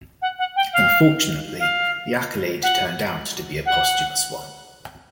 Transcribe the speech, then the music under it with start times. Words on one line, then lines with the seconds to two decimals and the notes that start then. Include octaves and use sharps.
Unfortunately the accolade turned out to be a posthumous one.
0.21 F#5
0.39 F#5
0.56 G5
0.73 F5
1.59 F5
2.62 F#5
3.65 F#5